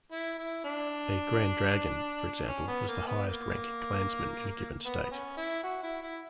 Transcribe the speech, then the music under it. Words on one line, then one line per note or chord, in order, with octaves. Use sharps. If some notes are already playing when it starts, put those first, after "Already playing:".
A "Grand Dragon", for example, was the highest-ranking Klansman in a given state.
E4
E4
D4
C#4
B3
A#3
B3
A#3
B3
B3
C#4
E4
F#4
E4
E4